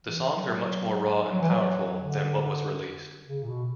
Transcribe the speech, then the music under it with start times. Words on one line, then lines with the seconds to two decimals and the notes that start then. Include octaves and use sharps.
The songs are much more raw and powerful than what was released.
0.05 E3
0.37 F#3
1.33 F#3
1.42 E3
1.50 F#3
1.98 D3
3.27 C#3
3.44 A#2
3.48 B2